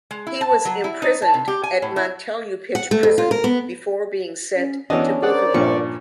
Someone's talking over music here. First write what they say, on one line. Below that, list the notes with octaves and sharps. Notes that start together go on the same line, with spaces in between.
He was imprisoned at Montelupich Prison before being sent to Buchenwald.
G#3
E4
A5
F#3
E4
D#4
A5
C3
G4
G#5
A2
E4
F#5
A3
F2
F4
A#4
B3
C#4
E3 B3 C#4 D4 F#4 D#5
G#4 A#4 C5 D5 F#5
G2 A#2 F3 C#6